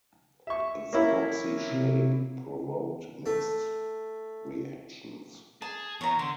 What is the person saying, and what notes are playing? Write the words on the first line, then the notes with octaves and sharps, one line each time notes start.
Its boxy shape provoked mixed reactions.
E5 C#6
A#3 C#4 E4
C3
A3
G#4 A5
E2 C#5 A#5
D3 C6